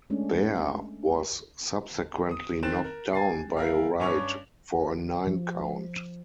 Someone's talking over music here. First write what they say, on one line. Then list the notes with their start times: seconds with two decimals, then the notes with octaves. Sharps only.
Baer was subsequently knocked down by a right for a nine count.
0.10 G#3 A3 C#4 D4
2.31 D#6
2.63 D#3 C4 F#6 A6 E7
2.84 A#4
3.13 G#5 A6 C7
3.57 E4 A#4 F5
4.00 G2 C#4 C#5 C#6 D6 F7
5.27 F3